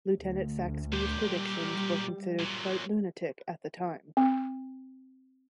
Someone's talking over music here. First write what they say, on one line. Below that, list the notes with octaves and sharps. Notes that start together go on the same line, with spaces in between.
Lieutenant Saxby's predictions were considered quite lunatic at the time.
D2
A#2 G4
G3
A#2 F#3
C4